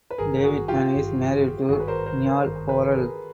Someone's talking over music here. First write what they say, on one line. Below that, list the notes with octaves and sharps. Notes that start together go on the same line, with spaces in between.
Davidman is married to Neal Horrell.
B4
G#1 G2 D#3 G#4 A#4
F#4 G#4
F4 G4
G#1 G2 D#3
G#1 G2 D#3 F#4 G#4
B4
A#4 C5
A#4 C5
A#4 C5
G#1 G2 D#3 A#4 C5
A4 B4
G#4 A#4